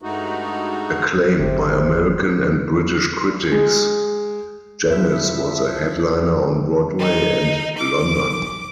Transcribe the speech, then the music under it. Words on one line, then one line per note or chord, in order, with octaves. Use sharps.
Acclaimed by American and British critics, Janis was a headliner on Broadway and London.
G2 G#3 A3 D#4 F#4
G1 C3 D#3
G#3
F2 F3 C4 E4 E5
D#4
D6